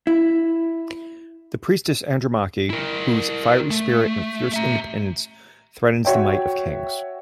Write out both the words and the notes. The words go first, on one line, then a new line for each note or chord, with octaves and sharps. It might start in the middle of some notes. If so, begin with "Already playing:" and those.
The priestess Andromache, whose fiery spirit and fierce independence threatens the might of kings.
E4
E4 A#4
A3
E5 A#5
F#4 C#5 E5 G5